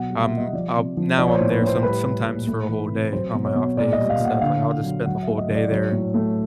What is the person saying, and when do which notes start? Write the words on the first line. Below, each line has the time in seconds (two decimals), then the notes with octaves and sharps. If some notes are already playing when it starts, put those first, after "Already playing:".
um, um, now I'm there some sometimes for a whole day on my off days and stuff, like, I'll just spend the whole day there an
Already playing: B2 F#3 F#5
0.10 G3
0.22 E5
0.33 G3 D#5
0.53 F3 D5
0.76 C3
0.97 F3
1.18 F3 D5
1.27 C#5
1.34 C5
1.40 A2
1.51 B4
1.62 A2 C5
1.83 G3 B4
2.04 G3
2.26 A#2
2.47 A3
2.69 E3
2.91 C3
3.12 F#3 C5
3.33 B2
3.45 C#5
3.55 B2
3.77 A#2 D5
3.93 D#5
3.98 G3
4.10 F5
4.20 A#2
4.25 F#5
4.41 D3 F5
4.63 D3
4.84 F#3
5.06 F#3 F#5
5.22 A3 E5
5.38 D#5
5.49 F#3
5.55 D5
5.71 F#3 C#5
5.92 A2
6.14 A3